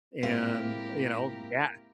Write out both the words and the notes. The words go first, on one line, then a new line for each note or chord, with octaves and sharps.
and, you know, ga
A2 G#3 A#3 C4 E4 F4 G4 A#4